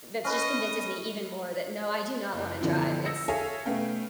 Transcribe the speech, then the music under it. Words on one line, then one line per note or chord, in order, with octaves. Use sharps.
that's just convinces me even more that, no, I do not wanna drive. It's
C#4 B4 D#5
F#1
B2 D3 E3 F3 E4
E6 A#6 C#7
G#4 A4 C#5 E5 F5 G#5
B2 A3 B3 C#4 F5 G5